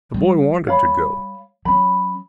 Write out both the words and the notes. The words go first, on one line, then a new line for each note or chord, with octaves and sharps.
The boy wanted to go.
G3
C#5 F5 B5
F#3 C#4 B5